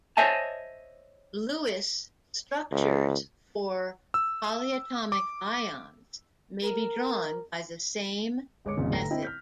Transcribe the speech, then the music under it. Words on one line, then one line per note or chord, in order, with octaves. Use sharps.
Lewis structures for polyatomic ions may be drawn by the same method.
C5 C#5 D#5 E5 G#5 A5
C#2
E6
D6
A#4
G1 G#3 C#5 D6 C#7
G#1 F2 A#2 C#3
G1 A3 G5 A#5 A#6
C4 E4 D#5 G5
F6 G6 B6